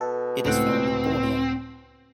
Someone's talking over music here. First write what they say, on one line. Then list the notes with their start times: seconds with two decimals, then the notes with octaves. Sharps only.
It is found in Borneo.
0.01 B2 A4
0.46 C#2 A2 C4 F#5